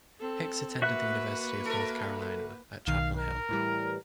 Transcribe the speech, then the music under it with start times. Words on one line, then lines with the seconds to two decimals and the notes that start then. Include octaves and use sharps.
Hicks attended the University of North Carolina at Chapel Hill.
0.19 C4 A4
0.82 A#3 F#4 B4 E5 F#6
1.65 A4 A#4
2.87 B1 D#3 F5 C7
3.16 A#4
3.49 A2 E3 G3